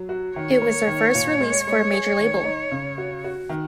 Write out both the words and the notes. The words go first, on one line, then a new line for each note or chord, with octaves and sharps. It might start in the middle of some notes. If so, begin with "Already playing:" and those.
It was their first release for a major label.
Already playing: F#3
F#4
D#3 C#5
A#3
D#3
A#2
G#3
G#3
G#4
D#3
D#4
C#3
F#4
F#4
D#3